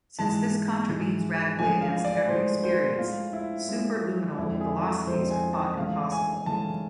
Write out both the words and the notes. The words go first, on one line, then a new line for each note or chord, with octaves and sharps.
Since this contravenes radically against every experience, superluminal velocities are thought impossible.
G#2 E3 G#3 A5
G#2 E3 G#3
A2 F3 G#3 G#5
F5
D5
A2 F3 G#3 C5
C5
A2 G#3 F4
E4
A2 G#3
F2 D3 F3 G#3 E4
G#4
A4
F2 D3 F3 G#3 C5
G#5
A5
A2 E3 G#3 F5
G#5
A2 E3 G#3 A5